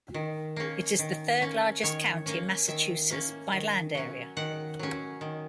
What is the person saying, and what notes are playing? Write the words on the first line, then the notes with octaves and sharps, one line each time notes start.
It is the third-largest county in Massachusetts by land area.
D#3
A#3 C#4
D#3
A#3 C#4
D#3 C#5
A#3 C#4
D#3 E5
A#3 C#4
D#3
F#3 C#4
D#3 F#5
F#3 C#4
D#3